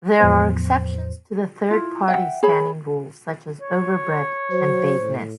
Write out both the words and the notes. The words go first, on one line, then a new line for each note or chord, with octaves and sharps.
There are exceptions to the Third Party Standing rule, such as overbreadth and vagueness.
E2 A2 F3 B3 C5
E4 F4
E5 F#5 G5
G#4 C#5 B5
C#5
F#3 C5
A2